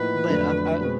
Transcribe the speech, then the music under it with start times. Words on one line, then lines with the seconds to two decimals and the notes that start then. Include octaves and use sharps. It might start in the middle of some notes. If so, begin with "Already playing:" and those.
But I've I
Already playing: A2 F3 A#3 D#4 B4
0.28 F2 D3 F#3 A3 D4
0.81 B2 G#3 C4